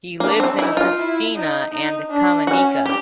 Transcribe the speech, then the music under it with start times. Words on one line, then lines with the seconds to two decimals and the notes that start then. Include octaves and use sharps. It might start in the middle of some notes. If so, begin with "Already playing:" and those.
He lives in Pristina and Kamenica.
0.20 A#3 D4
0.40 C4
0.59 D#4 E4
0.77 F4
0.97 E4
1.35 D#4
1.72 D#4
2.10 D4
2.47 C#4 F#4
2.86 G4